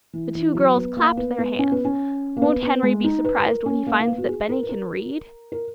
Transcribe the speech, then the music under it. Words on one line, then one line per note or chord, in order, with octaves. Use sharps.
The two girls clapped their hands. "Won't Henry be surprised when he finds that Benny can read?"
E3
E3
F#3
B3
A#3
B3
B3
C#4
B3
C#4
A#3
B3
B3
G#3
D#4
B4
B4
A#4
C#4
A#3
A#3
B3
F#4
G#4
A#4
B4
A#4
A#4